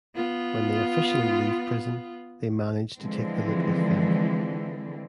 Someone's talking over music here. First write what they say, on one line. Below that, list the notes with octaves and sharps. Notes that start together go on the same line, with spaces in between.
When they 'officially' leave prison, they manage to take the loot with them.
B3 F4
D3 E3 F3 G#3 C4